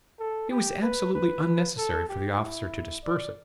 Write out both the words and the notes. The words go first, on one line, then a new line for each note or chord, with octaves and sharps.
It was absolutely unnecessary for the officer to disperse it.
A4
G4
B4
B4
A4
G4
E4
D5